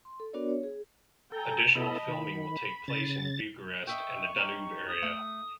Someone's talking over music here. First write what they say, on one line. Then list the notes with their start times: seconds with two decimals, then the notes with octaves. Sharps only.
Additional filming will take place in Bucharest and the Danube area.
0.05 C6
0.20 A4
0.33 B3 D4 F#4 A#4 C#5 D5
0.49 C#5
0.63 G#4
1.32 A4 G5 G#5 A#5
1.75 B3 E4 A4 D#5 A5 B5
2.08 D#3 B5
2.88 C#3 A6
3.87 D#5 E5 G5 C#6
4.36 C#4 D#4 G4
4.88 D#6
5.02 A3